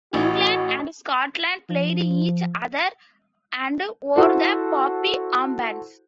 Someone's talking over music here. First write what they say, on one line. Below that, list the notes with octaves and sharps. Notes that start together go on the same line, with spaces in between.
England and Scotland played each other and wore the poppy armbands.
A1 A2 E3 F#4
F3
E4 F#4 A4 C5